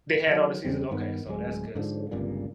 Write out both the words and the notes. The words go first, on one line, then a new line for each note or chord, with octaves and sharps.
They had all the seasons? Okay, so that's good, so
D#3 F#3
E2 C#3 G3 C4
G2 D#3 B3
D1 D2 G3 G#3
G#2 D3 F3
G1 C#2 G2 A#2